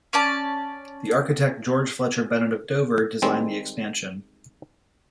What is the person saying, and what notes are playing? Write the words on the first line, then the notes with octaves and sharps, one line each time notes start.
The architect George Fletcher Bennet of Dover designed the expansion.
C#4 D5 A5
D#3 G3 G#3 C4